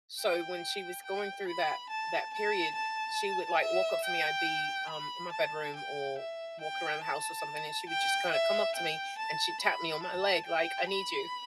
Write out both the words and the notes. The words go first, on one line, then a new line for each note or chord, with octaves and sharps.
so, when she was going through that that period, she would, like, walk up to me I'd be, um, in my bedroom or walking around the house or something, and she would just kinda come up to me, and she'd tap me on my leg like, "I need you."
G5
G5
B5
A5
A5
A5
E5
G5
B5
A5
G5
E5
G5
A5
G5
E5
G5
A5
B5
A5
G5
B5